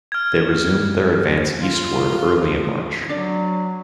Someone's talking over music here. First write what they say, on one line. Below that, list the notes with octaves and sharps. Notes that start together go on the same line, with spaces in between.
They resumed their advance eastward early in March.
F6 G#6
F4
F#3 D4 D5